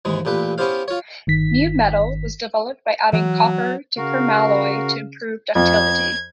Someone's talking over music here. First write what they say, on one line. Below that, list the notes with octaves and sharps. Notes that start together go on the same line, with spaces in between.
Mu-metal was developed by adding copper to permalloy to improve ductility.
D#2 G#2 E3 G#3
A1 A#2 G4 B4
B3 C#4 E4 G4 C5 F5
F4 C#5
G1 D#3 B6
E3 F#3
C#3 F#4 A#4 F5
F2 G#6